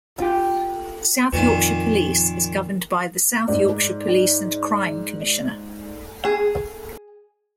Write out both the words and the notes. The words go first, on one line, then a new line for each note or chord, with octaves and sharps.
South Yorkshire Police is governed by the South Yorkshire Police and Crime Commissioner.
F4 G4
F2 A#2 D#3
G#2 D5
G#4